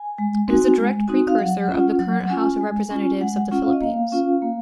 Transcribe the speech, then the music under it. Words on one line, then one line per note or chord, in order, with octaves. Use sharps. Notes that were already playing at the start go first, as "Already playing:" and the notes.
It is a direct precursor of the current House of Representatives of the Philippines.
Already playing: G#5
G#3
C4 D#4 F#4
G#3
C4 D#4 F#4
F5
F#3 F#5
C#4 F4
F#3 F#5
F#5
C#4 F4 G#5
G#3
C#4 F4
G#3 F#5
C#4 F4 F#5
F5
D#5
A#3 F5
C#4 F4
A#3